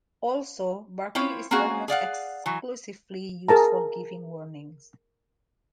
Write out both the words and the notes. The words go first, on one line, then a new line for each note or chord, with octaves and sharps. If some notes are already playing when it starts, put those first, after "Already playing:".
Also, barking is almost exclusively used for giving warnings.
C4 E4 F4 C#5
A#3 C4 C#4 F#4 G#4
G#4 D5 F5 F#5
E3 F#3
G#4 A#4 A5 A#5